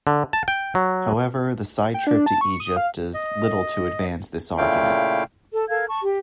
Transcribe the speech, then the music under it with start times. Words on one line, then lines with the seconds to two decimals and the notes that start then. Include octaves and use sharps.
However, the side trip to Egypt does little to advance this argument.
0.07 D3
0.33 A5
0.48 G5
0.75 F#3
1.94 G5
2.07 D4
2.26 A5
2.41 C#6
2.60 D#6
2.77 F5
3.14 D#5
4.58 A#2 C#3 A3 E4 F5 G5
5.53 A4
5.69 A4 A#4 F5 G#6
5.89 A5 C#6
6.02 G4